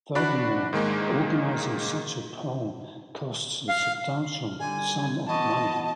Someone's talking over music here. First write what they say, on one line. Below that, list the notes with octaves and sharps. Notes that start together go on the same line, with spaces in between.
Furthermore, organizing such a poll costs a substantial sum of money.
D4 F#4 D5 B5 F#6
G#2 D#3 G#3 A#3
F5
D3 G3 G#5
E3 B3 F#4 D#5 A5